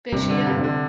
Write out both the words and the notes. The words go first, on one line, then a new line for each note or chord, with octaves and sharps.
Did she uh
G2 C3
D3
C3
D3